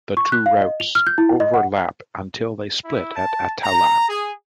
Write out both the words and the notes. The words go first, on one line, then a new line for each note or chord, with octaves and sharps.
The two routes overlap until they split at Attalla.
C#6
F#6
F5
D#5
F7
F6
G6
E4
D#5
F#5
E4
A5
A#5
G#4